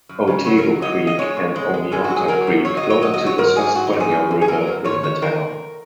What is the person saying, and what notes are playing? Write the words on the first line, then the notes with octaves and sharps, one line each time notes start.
Otego Creek and Oneonta Creek flow into the Susquehanna River in the town.
F#2
C#3
F#3 C#5
A#4
F#3
F#3 D#5
F#3
D#5
G#3 C#5
A#2
G#3
G#3
F#2 G#4
F#4
F#3
G#4
F#3 A#4
F#2
F#3 C#5
D#5
F#3
C#5
F#3 D#5
D#5
F#3
C#5
G#2 A#4
G#2 G#4
F#3 F#4
D#4
G#2
G#4
F#2
F#2
G#4
F#3 A#4
F#2
G#2 C#5
D#3 C#5
D#3 A#4